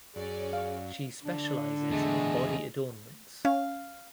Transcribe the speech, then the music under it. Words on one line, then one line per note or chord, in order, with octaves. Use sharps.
She specialises in body adornments.
F#2 C#4 G#4 D5
F5
D3 D4
E2 G#3 A3
C#4 F5